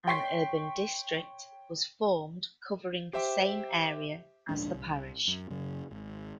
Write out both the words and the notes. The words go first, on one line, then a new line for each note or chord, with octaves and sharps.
An urban district was formed covering the same area as the parish.
C#5 G5 C6 C#6 B6 C7
G4 C5 E5 G5 D6
D#1 A#1 G#2 D4
C2
F#2
F#2 C#3
G#1